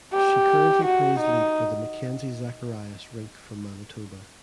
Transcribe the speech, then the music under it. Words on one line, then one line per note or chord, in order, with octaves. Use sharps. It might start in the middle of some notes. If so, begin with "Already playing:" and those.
She currently plays lead for the Mackenzie Zacharias rink from Manitoba.
G4
F#4
D#4